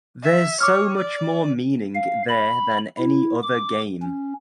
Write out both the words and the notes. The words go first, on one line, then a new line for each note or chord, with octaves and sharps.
There’s so much more meaning there than any other game.
E5
C#5 D6 E6 F6
D5
F5
B5
E4
D6
C#4